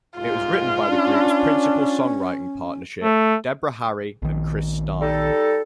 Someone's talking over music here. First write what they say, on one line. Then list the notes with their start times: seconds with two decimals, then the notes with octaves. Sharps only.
It was written by the group's principal songwriting partnership, Deborah Harry and Chris Stein.
0.17 C2 G#2 F4
0.87 C#4 D4
3.03 A3
4.22 A#1 D#3
5.01 G3 D#4 A4